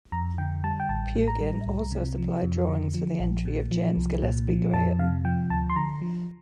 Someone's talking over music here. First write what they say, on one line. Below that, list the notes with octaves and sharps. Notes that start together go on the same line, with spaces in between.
Pugin also supplied drawings for the entry of James Gillespie Graham.
F2 A#5
D3 G5
G3 A5
G5
A1 A5
A2
A#5
G3
C2
C3
F3
F2
D3
F3
A#1
A#2
F3
C2
A#2
F3
F2 A5
C3 F5
F3 G5
D2 A5
C6
D3 A#5
F3